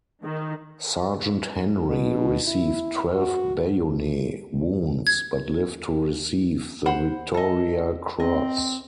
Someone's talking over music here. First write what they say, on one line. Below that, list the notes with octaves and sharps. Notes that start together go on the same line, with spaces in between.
Sergeant Henry received twelve bayonet wounds but lived to receive the Victoria Cross.
D#3
B2
E4
F#4
G#6
C5 F#5 B5
A4 D#5
C4 D#5